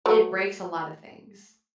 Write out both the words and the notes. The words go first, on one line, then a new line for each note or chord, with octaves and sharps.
it breaks a lot of things,
F#3 A3 B3